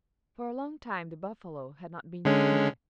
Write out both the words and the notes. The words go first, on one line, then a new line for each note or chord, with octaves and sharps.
For a long time the buffalo had not been seen.
D3 G#3 C#4